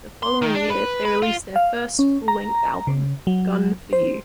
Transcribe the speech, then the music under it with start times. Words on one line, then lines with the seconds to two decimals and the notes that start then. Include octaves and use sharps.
The following year they released their first full-length album, "Gun For You".
0.23 C6
0.42 D#3
0.55 D4
0.70 B4
1.05 B4
1.22 F4
1.56 F5
1.99 C#4
2.28 A#5
2.87 C#3
3.27 F#3
3.93 C5